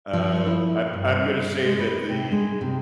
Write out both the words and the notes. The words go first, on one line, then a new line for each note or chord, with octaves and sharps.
uh, I'm I'm gonna say that the
F3
E4
G2
G#3
B4
C3
G#3
C3